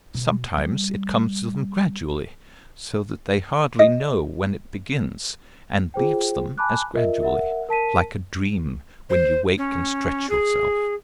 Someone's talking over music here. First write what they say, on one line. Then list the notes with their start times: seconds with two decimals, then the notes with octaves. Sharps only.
Sometimes it comes to them gradually so that they hardly know when it begins, and leaves them as gradually, like a dream when you wake and stretch yourself.
0.14 B2
0.58 G3
3.79 D#5
5.94 F4 G#4 C5 G5
6.58 G#5 A5 B5 D6 F#6
6.93 F4 A#4 D#5 E5
7.21 A#4 E5 F#5
7.69 A#4 A5 B6 D#7
9.10 C5
9.58 C#4
10.29 G#4